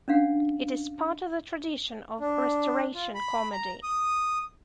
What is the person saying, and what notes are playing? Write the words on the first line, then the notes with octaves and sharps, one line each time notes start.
It is part of the tradition of Restoration comedy.
C#4 D4 F5 F#5
D4
F4
B5
A#5
D#6